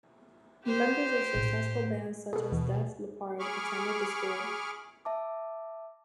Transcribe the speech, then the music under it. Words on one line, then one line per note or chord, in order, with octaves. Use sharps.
Members of successful bands such as Def Leppard attended the school.
G4 C5
A2 E4
B2 G#4 A4
D#2 E3
G#4 B5 C#6 D6 F6
E5 A5 D6